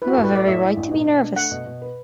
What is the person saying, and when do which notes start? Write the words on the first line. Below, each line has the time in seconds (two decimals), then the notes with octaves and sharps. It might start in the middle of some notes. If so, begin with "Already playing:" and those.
You have every right to be nervous.
0.02 E4 B4
0.08 F#4
0.13 A4
0.17 A1
0.24 B4
0.31 A3 D5
0.47 A2 E5
0.62 E4
0.77 A1
0.92 B2
1.07 B2
1.22 D4
1.36 A3 F#5
1.51 B2
1.66 B2
1.82 B4